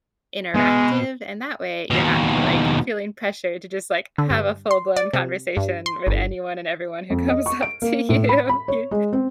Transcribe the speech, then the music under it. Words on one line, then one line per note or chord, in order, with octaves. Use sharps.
interactive, and that way, you're not, like, feeling pressured to just, like, have a full blown conversation with anyone and everyone who comes up to you you.
B2 G#3
D#2 B2
D3
G2
C6
D5
C3
G2
C6
G1
F2
D#5
C#6
D7
A#3
A2
B5
B5
C#5
G#3
C4